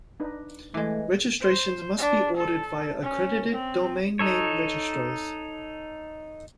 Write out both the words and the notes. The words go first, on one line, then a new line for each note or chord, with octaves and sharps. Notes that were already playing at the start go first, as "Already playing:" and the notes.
Registrations must be ordered via accredited domain name registrars.
D4 D#4 B4
E3 G#3 A3 D6
C5
D4
A4
C#4
C4
D#4 A4 C#5